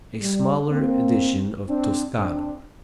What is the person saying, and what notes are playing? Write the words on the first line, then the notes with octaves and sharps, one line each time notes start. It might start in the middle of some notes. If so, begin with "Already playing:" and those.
A smaller edition of Toscano.
G3
A#3 C4
C4 D4
C4 D4